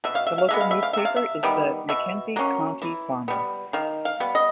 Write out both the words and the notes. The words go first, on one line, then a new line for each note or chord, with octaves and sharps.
The local newspaper is the "McKenzie County Farmer".
B2 E5
F5
E5
F5
G#3 B3 E5
F5
E5
F5
C3 E5
F5
E5
D#3 G3 B3
B2 E5
F#3 A#3 C#4
E3
G3 B3
D#3 F5
F5
G3 B3
D#5